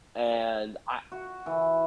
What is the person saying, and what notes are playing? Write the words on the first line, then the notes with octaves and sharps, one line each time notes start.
And I
F#4
E3